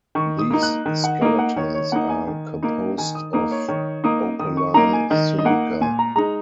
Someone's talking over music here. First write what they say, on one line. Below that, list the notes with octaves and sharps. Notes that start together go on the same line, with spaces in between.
These skeletons are composed of opaline silica.
D#3 C#6
D#6
A#3 D#4
F#6
D#3
F#5
A#3 D#4 D#5
F#5
D#3 C#5
C#5
A#3 D#4 F#5
G#5
D#3
A#3 D#4
D#3 G#5
D#6
A#3 D#4 D#6
C#5
D#3 C#5
A#3 D#4 D#6
D#3 D#6
C#6
A#3 D#4 A#5
G#5
D#3 D#5
D#5
A#3 D#4 F#5
A#2 G#5
A#5
G#3 D#4 A#5